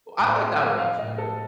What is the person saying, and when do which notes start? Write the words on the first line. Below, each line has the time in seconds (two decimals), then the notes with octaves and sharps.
Ooh, I like that one, actually, I do enjoy that
0.19 A2 G5
0.30 D5
0.39 D#5
0.59 F3 F5
0.78 F5
0.98 A2 D#5
1.18 A4